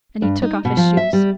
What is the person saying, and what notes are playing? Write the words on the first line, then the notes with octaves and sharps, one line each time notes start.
And he took off his shoes.
G2
D#4
B2
F3
E5
G3